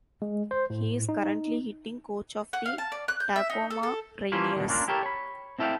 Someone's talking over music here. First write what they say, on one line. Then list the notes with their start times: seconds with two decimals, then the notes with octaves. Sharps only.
He is currently hitting coach of the Tacoma Rainiers.
0.22 G#3
0.51 C5
0.70 A2
1.09 D#4
2.53 F#5
2.66 F5
2.78 A5
2.92 D5
3.08 F#6
3.20 G6
3.36 E5
3.50 D#4
3.71 A4
3.83 A4
4.32 E3 F3 A#3 C#4 E4 F4
4.56 B2 D3 D#3
4.68 A#3 C#4 D4 F4 A#4
4.88 E4 G4 A4 A#4 C#5
5.03 C#5 B5
5.59 C4 E4 A4 E5 F5 G5